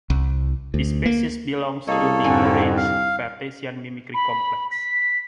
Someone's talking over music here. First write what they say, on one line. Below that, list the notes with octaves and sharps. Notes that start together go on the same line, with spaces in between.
This species belongs to the "orange" Batesian mimicry complex.
C2
D2
A#3
C2 A#3 G#4 A4 C#5 D#5
F2 G#2 D3 C4 G#5
F5
B5
B6